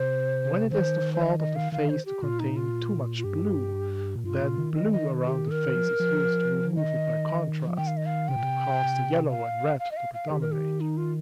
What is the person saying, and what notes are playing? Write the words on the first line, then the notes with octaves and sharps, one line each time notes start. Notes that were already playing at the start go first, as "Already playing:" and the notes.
When it is the fault of a face to contain too much blue, then blue around the face is used to remove it by contrast, and to cause the yellow and red to predominate.
Already playing: C3 C5
D#3 C5
C5
D#5
D#5
F5
D#3 F5
C5
G4
A#2 F4
D#4
F4
F4
G2 G4
A#2
G2 F4
A#2
D#3
D#5
D#5
G4
A#4
F3
F3
D#3 D#5
F3
D#3 G5
F5
D#5
F5
C3 G5
A#2
C3
F5
F5
D#5
F5
F5
D#3 G4
A#4
G4
D#4
F4